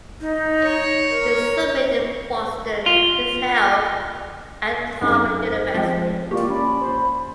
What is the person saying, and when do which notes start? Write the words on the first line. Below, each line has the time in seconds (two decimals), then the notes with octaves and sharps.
The summit in Boston is held at Harvard University.
0.21 D#4
0.63 C#5
1.10 A#4
2.86 F4
5.01 F#2 C4 D#4 G#4
5.41 C5
5.74 F3 G#3 C4
6.31 A#3 F4 G4 D5 C#6
6.49 C#4 D5 B5
6.81 C5